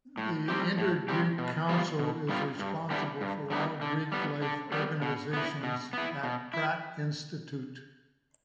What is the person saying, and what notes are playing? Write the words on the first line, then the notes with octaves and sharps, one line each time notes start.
The Inter-Greek Council is responsible for all Greek life organizations at Pratt Institute.
A2
G3 C4 G4
A2
G3 C4 G4
B2
G3 B3 F4
B2
G3 B3 F4
G2
D3 G3 B3 E4
G2
D3 G3 B3 E4
D3
G3 B3
D3
G3 B3
B2
B3 E4
B2
B3 E4
B2
E4